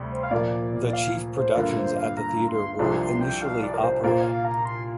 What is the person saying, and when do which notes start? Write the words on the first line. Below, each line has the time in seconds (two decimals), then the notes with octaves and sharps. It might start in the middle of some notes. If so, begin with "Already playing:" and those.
The chief productions at the theatre were initially opera.
Already playing: D2 C3 G3
0.11 C5
0.23 F5
0.31 A#2 F3 A#3 F4 A#4 D5
0.83 D5
0.93 F5
1.35 C5
1.56 G2 D3 A#3 F4 A#4
1.76 C5
1.97 F5
2.17 A#5
2.48 C6
2.79 C2 C3 F3 D4 C6
3.00 C6
3.21 G5
3.42 F5
3.63 D5
3.74 A#4
3.83 C5
4.03 A#2 A#3 F4 A#4 C5
4.24 F5
4.45 A#5
4.65 C6